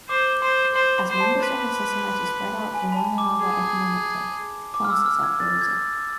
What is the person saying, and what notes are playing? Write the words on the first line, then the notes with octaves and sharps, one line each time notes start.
As members of a society spread out from one another economically, classes are created.
C5 D6
C5 C6
C5 C6
B5
C5
A5
B4
G#5
B5
A5
D6
G#4
D6
F6
E6
F6
G#6
A6
G#6